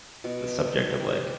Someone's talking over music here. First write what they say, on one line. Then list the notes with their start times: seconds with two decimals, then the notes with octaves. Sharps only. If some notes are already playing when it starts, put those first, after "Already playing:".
the subject of, like,
0.24 B2
1.00 G4